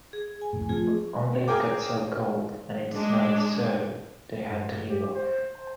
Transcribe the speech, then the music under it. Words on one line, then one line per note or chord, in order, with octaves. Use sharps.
Only it got so cold, and it snowed so, they had to leave off.
G#4
G#5
C2 F2 A2
F3 A3 C4 F4 G#4
G#4 A#4 G5 D6
G#3 D4
G2
G4
C5